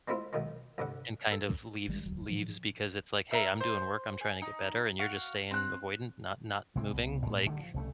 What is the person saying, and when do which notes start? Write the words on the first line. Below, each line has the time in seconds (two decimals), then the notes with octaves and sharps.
and, kind of leaves leaves because, it's like, "Hey, I'm doing work, I'm trying to get better, and you're just staying avoidant not not moving, like"
0.08 G#3 A#3 C4 E4 F4
0.33 B1 D#3 G#3
0.78 C2 G2 D3 F#5
1.32 A4
1.88 G#1 D#3 G3 G#3
2.05 E1 D2 F#3
2.29 A2 D#3 F3 F#3
3.31 A#4 C5 E5 E6
3.60 C5
4.21 G#4
4.42 D#4
4.99 F#4 F5
5.51 C4 F#6
6.76 C3 G#3 C4
6.90 C2 B3
7.26 A2 G#3 B3
7.46 D3 D#3 G3 A3
7.59 F3
7.74 C2 C#3 A3